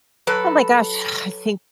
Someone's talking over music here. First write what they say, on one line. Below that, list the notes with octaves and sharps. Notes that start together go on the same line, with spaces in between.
Oh my gosh, I think
F#3 A4 B4